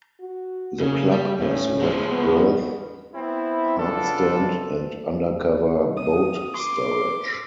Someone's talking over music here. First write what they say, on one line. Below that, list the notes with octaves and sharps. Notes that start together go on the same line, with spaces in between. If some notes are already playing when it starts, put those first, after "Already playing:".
The club has wet berth, hardstand and undercover boat storage.
F#4
C#3 A#3
G3
A2 C#4
F3 G#3
B3
B3 C4 E4
C#3 B3 D4 F4 A4
D#6
C6 D6